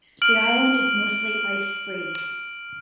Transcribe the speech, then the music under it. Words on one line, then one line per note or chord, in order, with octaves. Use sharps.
The island is mostly ice free.
F6 D7 F#7